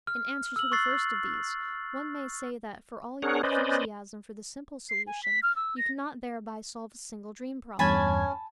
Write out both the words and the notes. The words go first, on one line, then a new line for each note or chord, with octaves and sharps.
In answer to the first of these, one may say that for all your enthusiasm for the simple solution, you cannot thereby solve a single dream problem.
F6
E6 F#7
C#6 E6 F#6 A6 C7
D4 G#4 A#4 C#5 F#5
C#4 B4 C5 D5 D#5
C7
G#5
B6
F6
E6
A#6
E2 G2 C#4 G#5 A5 B5 G#6